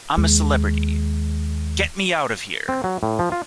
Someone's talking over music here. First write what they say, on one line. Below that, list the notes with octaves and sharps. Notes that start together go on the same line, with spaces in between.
I'm a Celebrity...Get Me Out of Here!
D#2 G#3
C4
F#3
A2
F3
F4